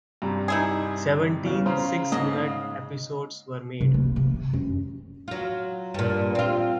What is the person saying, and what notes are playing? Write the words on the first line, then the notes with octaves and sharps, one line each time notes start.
Seventeen six-minute episodes were made.
G2 C3 G3 A#5
D#4 E4 G#4
E2 C#3
C#3 C5 F5 A#5
G#2 D#5
C3
A#3
C3
F#2
F#3 F4
G2 A#2
C4 F4